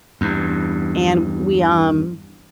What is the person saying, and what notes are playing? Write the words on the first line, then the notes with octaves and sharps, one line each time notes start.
and we, um,
E2 G2